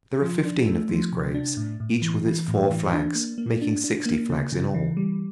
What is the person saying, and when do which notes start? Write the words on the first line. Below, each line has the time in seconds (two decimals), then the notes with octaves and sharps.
There are fifteen of these graves, each with its four flags, making sixty flags in all.
0.21 F3
0.44 D4
0.67 A3
0.89 F3
1.12 C3
1.35 D4
1.57 A2
1.80 A2
2.02 E3
2.26 E3
2.48 A2
2.71 E3
2.93 D4
3.15 A#3
3.38 A#3
3.62 D4
3.84 D4
4.06 A#3
4.30 C#3
4.52 C#3
4.74 E3
4.97 G3